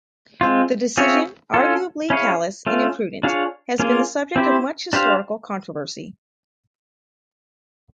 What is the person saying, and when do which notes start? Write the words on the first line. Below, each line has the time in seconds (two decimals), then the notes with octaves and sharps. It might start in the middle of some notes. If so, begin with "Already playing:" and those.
The decision, arguably callous and imprudent, has been the subject of much historical controversy.
0.41 G#3 C4 F4
0.97 C4 F4 G#4 C#5 E5
1.54 C#4 F4 A4
2.10 C#4 E4 G#4 C#5 F5
2.67 A3 C#4 F4
3.23 D4 F4 G#4 C#5
3.79 A#3 C#4 F4 G#4
4.36 C4 E4 G4 C5
4.93 D4 G4 C5 F5